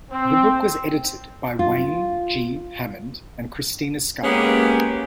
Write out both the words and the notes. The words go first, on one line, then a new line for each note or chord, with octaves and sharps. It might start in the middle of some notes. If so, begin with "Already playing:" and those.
The book was edited by Wayne G. Hammond and Christina Scull.
C4
F4
G#3 A#3 B3 C#4 G4 G#4